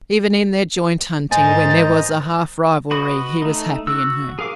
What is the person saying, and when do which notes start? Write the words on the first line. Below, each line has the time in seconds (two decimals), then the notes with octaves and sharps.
Even in their joint hunting, when there was a half rivalry, he was happy in her.
1.31 G#2 D#3 C5 D#5 G#5 A#5 A6
2.91 F#4 B4 D#5
3.42 A3 D#4
3.87 F#4 E6
4.39 G#4 A#4 F5 D6